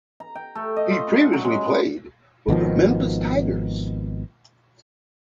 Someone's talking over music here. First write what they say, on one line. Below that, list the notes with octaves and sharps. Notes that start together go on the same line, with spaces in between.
He previously played for the Memphis Tigers.
A#5
G5
A3
D#5
F4
C#3
F#5
F#3
G#3
B3
G#1 B2 D#3 F3